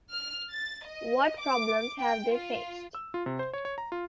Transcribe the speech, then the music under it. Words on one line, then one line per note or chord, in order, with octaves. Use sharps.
What problems have they faced?
F6
A6
D#5
D6
G5
F4
E6
F4
C3
C5
C#5
C#5
A#5
F4